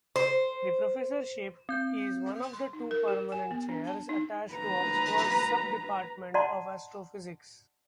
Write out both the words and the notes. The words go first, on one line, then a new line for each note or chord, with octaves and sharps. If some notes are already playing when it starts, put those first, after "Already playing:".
The professorship is one of two permanent chairs attached to Oxford's Sub-Department of Astrophysics.
C5
C4 G6
C6
D#4
A#4
G4
G#5
B3
D4
A5
D#4
B4 A#5
D5 D#5 F#5 A5 A#5 C6